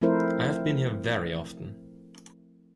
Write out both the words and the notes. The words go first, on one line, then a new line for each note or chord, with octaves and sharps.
I have been here very often.
F3 A3 C4 E4 A#4 C5